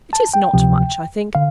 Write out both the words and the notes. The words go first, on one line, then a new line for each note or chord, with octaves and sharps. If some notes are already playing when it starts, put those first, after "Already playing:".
'It is not much, I think.
A5
G5
D2 C3 F3
D3 F5